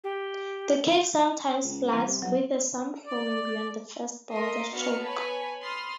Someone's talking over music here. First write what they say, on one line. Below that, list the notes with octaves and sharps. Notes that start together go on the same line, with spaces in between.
The cave sometimes floods, with a sump forming beyond the first boulder choke.
G4
C#2
E3 G3 C4
C3
B1 F#3
D5
A#4 D#5 E5 C6 D#6
B3 D4 F#4 F5 F6 C#7
B4 C#5 G#5 A5 B5
B5 C6 D#6 F6 A6